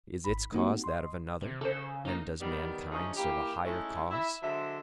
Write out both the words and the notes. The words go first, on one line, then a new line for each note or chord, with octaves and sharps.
Is its cause that of another, and does mankind serve a higher cause?
G#1 B5
G#3 A#3 C4 D#4 F#4 G4
D#5 C6
C3
C#3 A4 C5
A#3 C#4 D#4
D#3 G3 B3
D2 F3 C#4 D#4 G#4 C#5
E3 A#3 E4 G4
G#3 A3 C#4 D#4 E4
E4 E5
D3 F#3 G#3 C5 E5